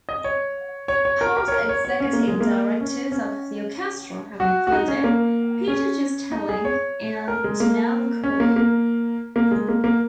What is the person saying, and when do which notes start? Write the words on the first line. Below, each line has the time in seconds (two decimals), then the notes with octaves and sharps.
Past executive directors of the orchestra have included Peter Gistelinck and Janelle McCoy.
0.09 D#5
0.24 C#5
0.88 C#5
1.05 C#5
1.21 A#4
1.37 A#4
1.48 C#5
1.52 A#4
1.69 C#5
1.85 C#5
2.00 C#4
2.13 A#3
2.28 G#3
2.40 A#3
2.81 C#4
3.12 C#4
4.40 F#4
4.67 F#4
4.72 D#4
4.88 C#4
5.04 A#3
5.68 C#4
6.32 D#4
6.49 G#4
6.65 C#5
7.28 A#4
7.44 G#3
7.60 A#3
8.24 C#4
8.40 A#3
8.56 A#3
9.36 A#3
9.51 G#3
9.68 A#3
9.84 A#3